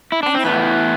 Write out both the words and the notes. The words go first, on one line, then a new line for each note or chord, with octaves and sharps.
I know.
E4
D4
C4
A2 E3 B3